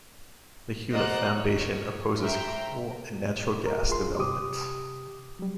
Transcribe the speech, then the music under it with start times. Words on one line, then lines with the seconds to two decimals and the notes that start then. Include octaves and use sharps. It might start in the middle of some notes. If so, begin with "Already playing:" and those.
The Hewlett Foundation opposes coal and natural gas development.
0.92 C5 D5 D#5 F#5 A#5 F#6
1.31 C#5
2.20 C5 E5 G5 A#5
3.66 A#4
3.89 F4 G#4 C6
4.19 C3 G4 D6 D#6
5.39 F#3 G3